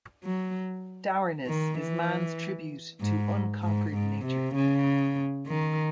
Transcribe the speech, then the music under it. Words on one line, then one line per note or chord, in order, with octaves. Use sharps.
Dourness is man’s tribute to unconquered nature.
F#3
D#3
E3
G#2
G#2
G#2
C3
C#3
D#3